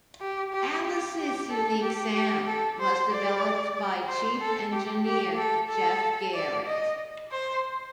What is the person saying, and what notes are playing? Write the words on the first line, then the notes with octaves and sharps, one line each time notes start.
Alice's unique sound was developed by Chief Engineer Jeff Garrett.
G4
G4
G4
G4
A4
G4
G4
A4
C5
D5
C5
A4
G4
G4
A4
A4
D5
D#5
C5